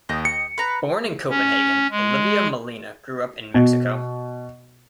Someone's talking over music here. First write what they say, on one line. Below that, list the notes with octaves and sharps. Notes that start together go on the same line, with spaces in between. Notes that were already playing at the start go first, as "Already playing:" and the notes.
Born in Copenhagen, Olivia Molina grew up in Mexico.
D#2 D#5 G5
C#7
B4 A#5
C#4
G#3
B2